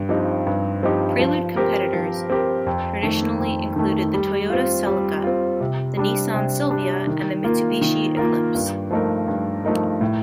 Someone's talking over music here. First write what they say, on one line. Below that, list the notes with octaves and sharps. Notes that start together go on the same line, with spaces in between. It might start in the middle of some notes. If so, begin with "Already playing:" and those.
Prelude competitors traditionally included the Toyota Celica, the Nissan Silvia and the Mitsubishi Eclipse.
Already playing: G2
F3 C4 D#4 G4
G2
F3 C4 D#4 G4
F3
C4 G4 A#4
F3
C4 G4 A#4
F2
D#3 A3
F2
D#3 A3
G3
C4 F4
G3
C4 F4
C3
G3 D4
C3
G3 D4
D#3
A#3 F4 A#4
D#3
A#3 F4 A#4
G2
F3 A3 D#4 A#4
G2
F3 A3 D#4 A#4
A2